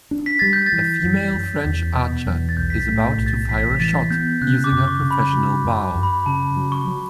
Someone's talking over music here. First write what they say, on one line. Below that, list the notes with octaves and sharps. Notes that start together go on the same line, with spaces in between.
A female French archer is about to fire a shot using her professional bow.
D4
B6
G3 A6
G6
A6
E3
F#2
F#2
E2
B2
E2
A6
B1 G6
B6
A6
A2
B6
B1
A6
A1 B6
E3 A6
B3 G6
C#3 F#6
D6
F#2
C#6
C#3
B5
F#3
F#2
F#2
B5
C#3 A5
F#3
C#6
F#3